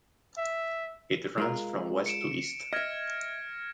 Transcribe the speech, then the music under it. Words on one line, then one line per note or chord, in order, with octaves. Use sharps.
It runs from west to east.
E5
G#3 F4 A#4
C#7 D7 E7
D#5 E5 F6 G#6 A#6